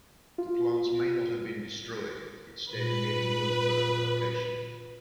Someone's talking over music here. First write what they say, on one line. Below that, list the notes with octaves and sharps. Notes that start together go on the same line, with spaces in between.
The plants may not have been destroyed, instead merely moved to another location.
F4
A#2 B4